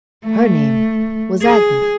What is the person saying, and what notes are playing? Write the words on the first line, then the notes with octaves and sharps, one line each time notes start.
Her name was Agnes.
A3
G#4